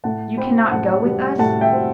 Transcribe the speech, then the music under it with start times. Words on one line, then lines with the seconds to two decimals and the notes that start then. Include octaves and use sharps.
"You cannot go with us!"
0.04 A2 F#5 A5
0.37 C4 G5 B5
0.71 A2 F#5 A5
1.05 G3
1.39 A2 F#5 A5
1.61 E5 G5
1.73 C4